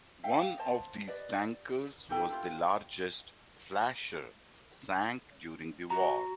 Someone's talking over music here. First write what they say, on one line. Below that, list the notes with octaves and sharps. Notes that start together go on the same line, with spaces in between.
One of these tankers was the largest "Flasher" sank during the war.
E5 F5 G5
C5 D#5 A5
G4 B4 D5 D#5
D#4 G4 A4 G5
D4 E4 F4 G4
F#4 A#5